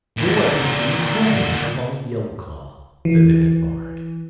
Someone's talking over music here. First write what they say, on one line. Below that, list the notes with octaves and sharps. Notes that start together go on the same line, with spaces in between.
Go up and sing a cronan to Conall Yellowclaw,' said the head bard.
A#2 D3
E3